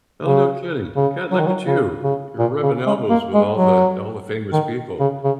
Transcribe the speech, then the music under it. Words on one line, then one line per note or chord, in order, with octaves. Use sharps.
Oh, no, kidding good, look at you. You're rubbing elbows with all the all the famous people.
C#3
C#3
F#3
D#3
F#3
C#3
C#3
A#2
C#3
G#3
A#3
G#3
F#3
D#3
C#3
C#3